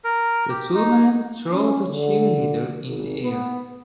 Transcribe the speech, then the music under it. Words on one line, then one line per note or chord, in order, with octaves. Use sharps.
The two men throw the cheerleader in the air.
A#4
G4
D#4
C#4
D3
G#1
B3